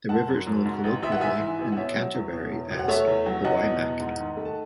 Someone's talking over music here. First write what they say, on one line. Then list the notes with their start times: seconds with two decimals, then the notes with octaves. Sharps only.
The river is known colloquially in Canterbury as "The Waimak".
0.09 F#1 F#5 A5
0.28 F#2
0.47 F#2
0.66 G#2
0.84 A1
1.02 A1 E5
1.12 F#5
1.21 G#2 E5 G#5
1.40 E3
1.59 A1
1.72 F#5
1.76 B2 C#5 E5
1.96 F#3
2.14 E2
2.33 B2
2.52 E2
2.70 E1
2.79 F#5
2.88 A3 C#5 E5
3.07 E2
3.26 F#3
3.44 E2 D#5 F#5
3.63 B2
3.82 E2
4.00 G#2
4.19 D#3
4.37 A3
4.45 A5